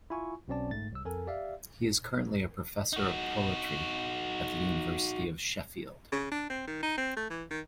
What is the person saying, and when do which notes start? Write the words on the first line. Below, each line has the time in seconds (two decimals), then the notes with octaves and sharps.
He is currently a Professor of Poetry at the University of Sheffield.
0.10 E4 F4 G#5 C#6
0.48 B1 B2 C4 C#4 D5 A5
0.71 G1 G#2 A3 A6
0.92 C2 E6
1.05 F2 A4 A#4 G#5
1.27 G4 D5 E5 F5
2.93 D#4 F#4
6.12 C#3
6.32 D4
6.50 C4
6.68 D#3
6.83 D#4
6.98 C4
7.16 A3
7.30 E3
7.51 D#3